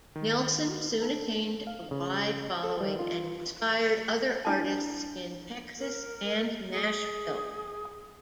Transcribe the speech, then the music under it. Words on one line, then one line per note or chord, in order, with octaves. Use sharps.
Nelson soon attained a wide following and inspired other artists in Texas and Nashville.
D#3
A4
F5
C#3
A4
G3
F4
D4 E4 A5
A#4
G#4